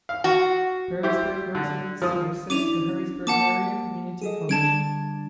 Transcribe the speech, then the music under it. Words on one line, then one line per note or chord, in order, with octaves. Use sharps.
Berrysburg residents have access to Harrisburg Area Community College.
F5
F#4
E4 G4 C5
D3
F3 D#6
C#4 D4 E4 D6 D#7 F7
A#3 F#5 A5 D6
G#4 A4 D#5
D3 G3 D4 A5 G#6 D7